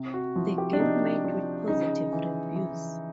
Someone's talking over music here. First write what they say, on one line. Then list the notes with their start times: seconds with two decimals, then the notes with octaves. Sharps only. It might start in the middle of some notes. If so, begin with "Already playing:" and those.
The game met with positive reviews.
Already playing: C3
0.14 F#4
0.36 F3 E4
0.58 G4
0.73 D4
0.80 C3 D#4
1.24 F3 D4
1.68 C#3 D#4
2.13 E3
2.56 E3